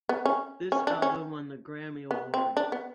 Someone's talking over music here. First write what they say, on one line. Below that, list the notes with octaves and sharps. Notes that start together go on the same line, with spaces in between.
This album won the Grammy Award.
B3
C#4
C#4
D4
C#4
B3
C4
D4
B3